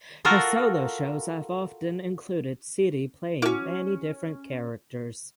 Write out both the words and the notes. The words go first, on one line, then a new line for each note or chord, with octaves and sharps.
Her solo shows have often included Sidi playing many different characters.
F4 F#4 A4 A#4
A#3 C#4 E4 F#4